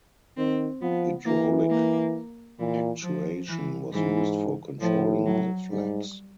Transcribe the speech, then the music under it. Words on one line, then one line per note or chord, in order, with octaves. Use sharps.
Hydraulic actuation was used for controlling the flaps.
D#3 C4
F3 B3
E3 A#3
A#3
A#2 E3
F3
E3
G#2 E3
A2 F3
F#3
G#2 G3